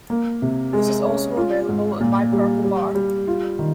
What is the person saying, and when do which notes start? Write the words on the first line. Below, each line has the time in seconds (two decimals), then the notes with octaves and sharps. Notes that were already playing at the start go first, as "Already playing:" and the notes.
This is also available in My Purple Bar.
0.10 A#3
0.42 C3
0.73 G#3
1.06 C#4
1.37 F4
1.68 G#2
2.01 A#2
2.32 G3
2.64 G3
2.95 G3
3.27 F4
3.59 D#3